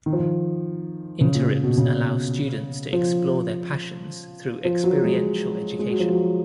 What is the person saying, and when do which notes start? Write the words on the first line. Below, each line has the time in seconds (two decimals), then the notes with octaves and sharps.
Interims allow students to explore their passions through experiential education.
0.06 D#3
0.13 F3
0.19 D#3
1.21 C#3
1.35 A#2
1.50 A#2
1.64 B2
1.77 C#3
2.93 F3
4.65 F3
4.84 F#3
5.03 G#3
5.79 G#3
5.90 F#3
6.00 F3
6.10 F#3